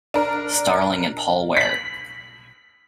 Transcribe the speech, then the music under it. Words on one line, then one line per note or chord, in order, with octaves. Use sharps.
Starling and Paul Ware.
D4 A#4
B6 F#7